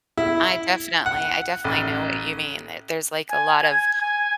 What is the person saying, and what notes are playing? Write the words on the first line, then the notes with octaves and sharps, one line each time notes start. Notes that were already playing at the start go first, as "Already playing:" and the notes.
I definitely, I definitely know what you mean. That there's like a lot of
E4
F#5
A1
G#5
G#6
G#5